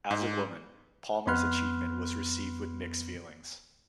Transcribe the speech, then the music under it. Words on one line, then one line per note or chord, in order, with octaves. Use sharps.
As a woman, Palmer's achievement was received with mixed feelings.
G#2
F2 B3 B5 C6 F6 F#6